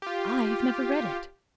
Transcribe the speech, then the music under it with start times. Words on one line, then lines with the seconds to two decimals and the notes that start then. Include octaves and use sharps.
"I have never read it."
0.02 F4 G4